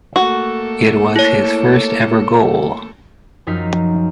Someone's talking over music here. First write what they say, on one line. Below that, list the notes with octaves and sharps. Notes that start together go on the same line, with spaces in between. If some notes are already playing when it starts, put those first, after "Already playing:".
It was his first ever goal.
A3 A#3 F#4 A4
E4 C#5
F#2 F3 D#4 A#4 F5 B6